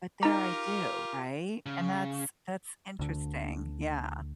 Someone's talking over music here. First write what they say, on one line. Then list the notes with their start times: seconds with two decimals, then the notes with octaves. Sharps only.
But there I do, right? And that's that's interesting, yeah.
0.23 D#4 F4 G4 A#4 A#5
1.66 C#3
2.99 D2 D3